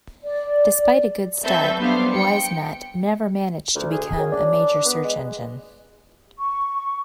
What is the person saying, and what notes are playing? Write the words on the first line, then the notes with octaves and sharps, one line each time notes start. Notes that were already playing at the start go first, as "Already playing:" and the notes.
Despite a good start, WiseNut never managed to become a major search engine.
D5
F#3 C4 A4 B4 E5 G6
G3 B3 D4 C5 F5
G5 C#7
D2
G#4
F#2
D4
B3
G#3
C#6